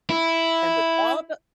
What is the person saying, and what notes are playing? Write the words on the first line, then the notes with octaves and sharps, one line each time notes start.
And with all the
E4